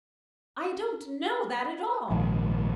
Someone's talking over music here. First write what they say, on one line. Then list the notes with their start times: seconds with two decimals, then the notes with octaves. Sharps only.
I don't know that at all!
2.10 A#1 G#2 D#3